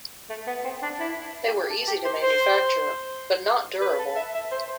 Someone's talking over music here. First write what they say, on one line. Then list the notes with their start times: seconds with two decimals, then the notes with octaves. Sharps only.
They were easy to manufacture, but not durable.
0.29 A3
0.47 B3
0.64 C4
0.82 D4
1.00 E4
1.46 G4
1.70 A4
1.87 G4
2.05 C5
2.22 C5
3.81 B4
3.99 A4
4.16 E5
4.34 E5
4.51 C5